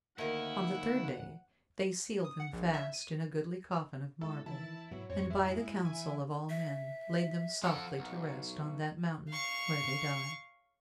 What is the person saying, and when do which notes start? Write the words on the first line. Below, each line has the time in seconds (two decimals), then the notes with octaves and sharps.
On the third day they sealed them fast in a goodly coffin of marble, and by the counsel of all men, laid them softly to rest on that mountain where they died.
0.18 D2 D#3 A#3 E4 F#5
2.24 D#6
2.40 F#5
2.53 A#1
2.73 E5
2.94 D#7
4.21 G#3 E4 A4
4.46 D#3 E3 E4 A5
4.91 G#2 B2 F#3
5.10 F2 C4 C#5
5.30 G#3 E4
5.85 E3 G#5
6.49 E5
7.63 F3 A4 F#5
7.99 B1
9.29 F5 C#6